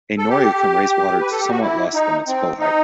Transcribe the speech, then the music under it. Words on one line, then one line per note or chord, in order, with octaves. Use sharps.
A noria can raise water to somewhat less than its full height.
A4
G4
B4
A4
G4
F#4
E4
D#4
C4
D#4